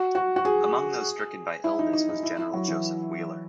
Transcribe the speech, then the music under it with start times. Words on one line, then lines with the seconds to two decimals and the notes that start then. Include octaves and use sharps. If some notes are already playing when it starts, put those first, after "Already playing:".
Among those stricken by illness was General Joseph Wheeler.
Already playing: F#4
0.15 F#4
0.36 F#4
0.45 G#4
1.64 E4
1.79 D#4
1.93 D#4
2.09 D#4
2.23 E4
2.38 E4
2.53 F#3
2.68 E3